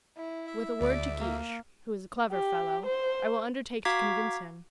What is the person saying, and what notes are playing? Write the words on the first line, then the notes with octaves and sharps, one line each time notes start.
"With a word to Guiche, who is a clever fellow, I will undertake to convince him."
E4
E5
D2 D5
A#3
G4
C5
F#4 F5 A#5 D6 G#6 B6